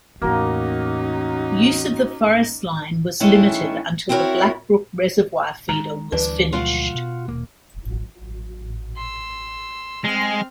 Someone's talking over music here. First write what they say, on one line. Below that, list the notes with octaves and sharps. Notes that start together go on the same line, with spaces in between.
Use of the Forest Line was limited until the Blackbrook Reservoir feeder was finished.
E2 A2 A#3 C#4 D#4 F#4
D#3 E3 G#3 A3 C#4 E4
C4 E4 F#4 A#4 C#5
D#3 G#3 A#5
D2 E3 G3 D4 B4
B2 F3 G#3 F4 F#4 F#5
B2
D#1 A#3
C6 E6
G#3 C4 F6